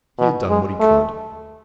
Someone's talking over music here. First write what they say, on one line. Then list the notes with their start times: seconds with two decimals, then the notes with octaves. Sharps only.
He had done what He could.
0.19 B2
0.49 G#3
0.80 A3